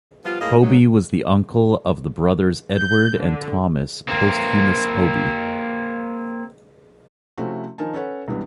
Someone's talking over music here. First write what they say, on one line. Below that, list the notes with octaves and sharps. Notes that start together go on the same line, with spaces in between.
Hoby was the uncle of the brothers Edward and Thomas Posthumous Hoby.
F3 G3 B3 F4
A2 A#3 G#4 D#5 F5
D#2 G#2 C#3 F#3 G#3 D#4
G6
D3
A#3 C4
C3 F3 A3 C#4 E4 F#4
D#3 F3 D#4 A#4 G#5 A5
C#4 A4 B4 C#5 F#5
C#2 G2 E3 G3 B3